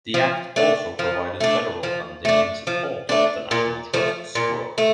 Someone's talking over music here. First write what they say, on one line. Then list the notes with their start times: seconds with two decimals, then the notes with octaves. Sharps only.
The Act also provided federal funding in support of the National Trust's work.
0.14 F3
0.56 A3 D4
0.99 F3
1.40 A3 D4
1.83 F3
2.25 A3 D4
2.67 F3
3.09 A3 D4
3.51 A#2
3.94 F3 A3
4.35 A#2
4.78 A3